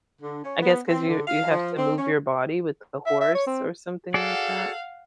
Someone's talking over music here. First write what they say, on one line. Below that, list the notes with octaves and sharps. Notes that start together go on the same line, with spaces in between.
I guess 'cause you you have to move your body with a horse or something like that.
D3
C#4
B3
C4
D3
F5
F3
C4
C#4
E5
E5
C#5
C4
F#4 G#4 A4 D5 F5 F#5